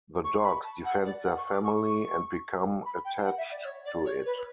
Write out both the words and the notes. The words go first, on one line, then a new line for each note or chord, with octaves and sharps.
The dogs defend their family and become attached to it.
C#6
B5
A5
F#5
D5
F#5
C#6
D6
C#6
C#6
B5
G5
F#5
E5
D5
C#5
D5
C#5
B4